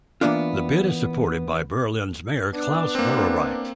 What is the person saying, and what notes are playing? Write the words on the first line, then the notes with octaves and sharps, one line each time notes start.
The bid is supported by Berlin's mayor Klaus Wowereit.
E3 F#3 A#3 B3 D4 F4
B3 D4
A#3 C4